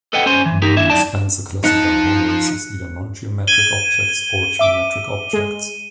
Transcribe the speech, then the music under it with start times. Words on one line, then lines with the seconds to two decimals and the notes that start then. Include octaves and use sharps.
Moon and Spencer classify holors as either nongeometric objects or geometric objects.
0.13 A4 B4 D#5 F#5 G5
0.26 C#4 C5 G#5 C6
0.46 E3
0.62 D#4 G4 A#4
0.77 D#2 D4 E4 E5
0.90 F#2 D#4 D5 A5
1.64 F3 D#4 A5 F#6 C#7
3.47 G#6 D#7 G7
4.59 E5 D6
5.33 G#3